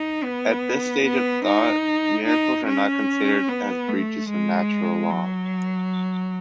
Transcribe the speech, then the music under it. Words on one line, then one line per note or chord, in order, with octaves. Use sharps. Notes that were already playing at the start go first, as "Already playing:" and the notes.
At this stage of thought, miracles are not considered as breaches of natural law.
Already playing: D#4
B3
B3
D#4
D#4
C#4
B3
A3
G#3
F#3